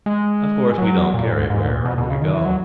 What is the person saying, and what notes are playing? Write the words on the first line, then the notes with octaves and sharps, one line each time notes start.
Of course we don't carry it wherever we go.
G#3
F#3
A#2
G#2
G#2
A#2
B2
B2
C#3
D#3
E3
F#3